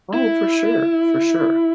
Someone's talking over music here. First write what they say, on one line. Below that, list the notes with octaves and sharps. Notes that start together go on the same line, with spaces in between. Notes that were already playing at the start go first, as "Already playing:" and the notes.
Oh, for sure, for sure.
E4